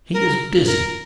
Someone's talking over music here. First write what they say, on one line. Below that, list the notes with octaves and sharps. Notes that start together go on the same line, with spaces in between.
"He is busy."
A#4
A#4